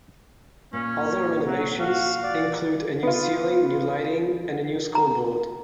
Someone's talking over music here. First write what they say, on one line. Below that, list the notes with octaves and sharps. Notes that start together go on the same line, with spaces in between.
Other renovations include a new ceiling, new lighting, and a new scoreboard.
A#2 C#4
F#3
F#4 F5
D5
B3 F4
A#5